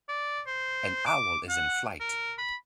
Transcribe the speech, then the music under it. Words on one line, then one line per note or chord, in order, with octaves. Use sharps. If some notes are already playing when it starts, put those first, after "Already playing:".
An owl is in flight.
D5
C5
D6
F#5
A#4
B5